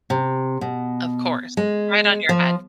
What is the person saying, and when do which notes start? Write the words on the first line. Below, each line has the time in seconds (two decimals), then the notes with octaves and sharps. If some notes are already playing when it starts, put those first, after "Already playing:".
Of course. Right on your head.
0.10 C3
0.61 B2
1.57 G#3
2.29 F3